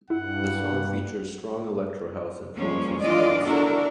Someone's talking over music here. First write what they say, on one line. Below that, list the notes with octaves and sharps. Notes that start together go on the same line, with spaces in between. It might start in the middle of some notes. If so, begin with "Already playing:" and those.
The song features strong electro house influences in its sound.
G2 E4 F#5
F3 G3 G#3 A#3 C#4
E3 D4 F4 D5 D#5
D4 E4 F#4 A4 A#4